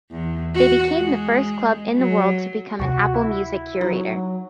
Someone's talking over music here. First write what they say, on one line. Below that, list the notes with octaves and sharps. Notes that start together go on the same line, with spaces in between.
They became the first Club in the world to become an Apple Music Curator.
E2
F#4
G#3
F#3
D2 C3 F#4
E4
F#3 D#4